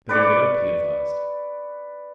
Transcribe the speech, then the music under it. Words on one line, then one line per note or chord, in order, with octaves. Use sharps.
"Better get up," he advised.
B4 D5 C#6 D6